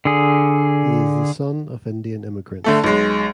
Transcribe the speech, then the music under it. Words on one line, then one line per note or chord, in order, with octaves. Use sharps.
He is the son of Indian immigrants.
D3 G#4
D3 A3 A4
B1 G#3